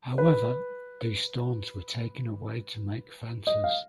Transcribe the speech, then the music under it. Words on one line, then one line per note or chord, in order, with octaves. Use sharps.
However, these stones were taken away to make fences.
B4
D#5
F5